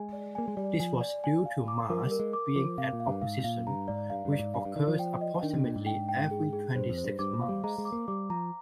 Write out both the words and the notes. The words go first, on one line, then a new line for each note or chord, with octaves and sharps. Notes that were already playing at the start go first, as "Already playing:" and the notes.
This was due to Mars being at opposition, which occurs approximately every twenty-six months.
Already playing: G#3 G#4 G#5
D5
A#3 G#5
G#3
G3 D5
F3 G#5
D5
G#5
F5
D6
F3 A#4
G3
A#4
G#3
D6
F3 D6
C3 F5
A#2
F5
G2
G#2 F5
C3
A#2 F5
G2 A#5
G#2 D5
G2 F5
G2
D5
G#2
G2 F5
G2
D#3 D5
F3
G5
D#5
F3
D#3 D4
C3
A#2 D4
G#2
G5
G5
G#4
G#4
G2 C5
F2
C5
G2
G2 D6
A#2
F5
G3
G#3 A#5
G#3
D6
A#3
G3 D6
F3 A#5